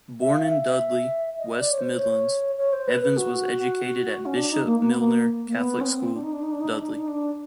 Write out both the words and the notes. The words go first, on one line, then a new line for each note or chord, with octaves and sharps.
Born in Dudley, West Midlands, Evans was educated at Bishop Milner Catholic School, Dudley.
E5
F5
E5
D#5
D5
C#5
C5
C#5
C#5
C5
B4
B4
F#4
C#4
D4
D#4
A#3
A#3
B3
A#3
A#3
B3
C#4
C4
D4
D#4
D4
D#4
D4
D#4
D4
D#4
D4
D#4
D4